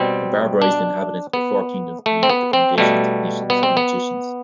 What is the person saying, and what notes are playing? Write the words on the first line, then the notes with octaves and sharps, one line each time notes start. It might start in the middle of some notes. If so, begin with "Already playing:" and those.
The barbarized inhabitants of the four kingdoms believe that the Foundation's technicians are magicians.
Already playing: B2 G3 C4
D4
B3
A3
C4
B3
C4
B2 G3 A3
B3
C4
B3